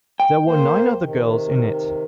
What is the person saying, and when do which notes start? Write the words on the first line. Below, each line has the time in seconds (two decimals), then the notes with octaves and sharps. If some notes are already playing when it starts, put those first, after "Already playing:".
There were nine other girls in it.
0.20 G5
0.46 A#3 C5
1.00 C3 D#3